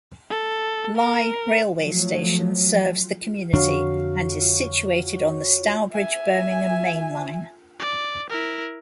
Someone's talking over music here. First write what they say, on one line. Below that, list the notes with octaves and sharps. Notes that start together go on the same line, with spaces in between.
Lye railway station serves the community, and is situated on the Stourbridge-Birmingham mainline.
A4
A#4
F3 F#3 A3
F2 D3 F#3 D4 F5
E5 G#5
D5
E4 A#4